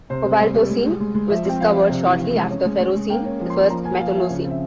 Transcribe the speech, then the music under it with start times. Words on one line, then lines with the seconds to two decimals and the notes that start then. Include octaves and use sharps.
Cobaltocene was discovered shortly after ferrocene, the first metallocene.
0.10 C3 C5
0.25 C3
0.40 G3
0.54 G3
0.70 G#3
0.85 G#3
1.00 G#3
1.15 G#3
1.30 F3 E5
1.45 C4 G5
1.60 F3 F5
1.75 F3
1.90 C3
2.05 E3
2.20 E3
2.35 G#3
2.50 C#4
2.65 G#3
2.80 G#3
2.95 G#3
3.10 A#3 G5
3.25 C#4
3.41 F3
3.50 C6
3.55 A#3
3.70 F3 A#5
3.85 A#3 G#5
4.00 F3 F5
4.16 F3 E5
4.30 C#3 C#5
4.45 C4
4.51 E5